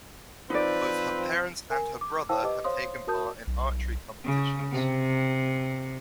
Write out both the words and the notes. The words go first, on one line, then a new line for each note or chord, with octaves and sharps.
Both her parents and her brother have taken part in archery competitions.
F3 C4 D#4 B4 D5
A#4 G#5
D6
E4 C5 F5 G5 A5 E6
G4 B4 D#5 D6
C5 C#5 F5 C6 D#6
F#4 A#4 A5 D#6 G6
B1
C#3
C3